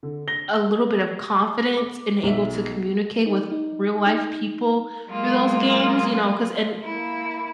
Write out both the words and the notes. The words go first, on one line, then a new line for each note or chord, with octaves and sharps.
a little bit of confidence, and able to communicate with real life people through those games, you know, 'cause and
D3
A#6 G7
D6
B1 E5
D#4
D#4
D#4
F#3 G#3 A#3 F4
A#3 E4